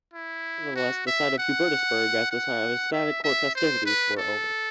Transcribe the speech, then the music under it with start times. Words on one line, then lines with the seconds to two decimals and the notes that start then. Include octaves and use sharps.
Nevertheless, the days of Hubertusburg as the site of ecstatic court festivities were over.
0.13 E4
0.76 F#4
1.07 E5
1.38 F#5
2.31 F#5
2.92 E5
3.24 E5
3.55 C5
3.86 B4
4.17 A4